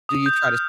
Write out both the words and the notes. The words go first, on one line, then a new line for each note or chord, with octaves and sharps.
Do you try to
D#6
G6
F6